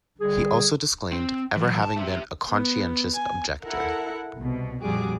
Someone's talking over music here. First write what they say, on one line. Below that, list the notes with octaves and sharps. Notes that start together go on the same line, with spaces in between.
He also disclaimed ever having been a conscientious objector.
D3 G3 G#4
C4
E3 F#3
A5
G4 E5
B3
G#5
E4 A4 A#4 F#5
C2 B2
A#1 F2 G3 F#4 G#4 D6